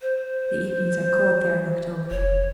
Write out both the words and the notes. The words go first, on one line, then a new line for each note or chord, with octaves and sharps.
The evenings are cold there in October.
C5
F1 C#5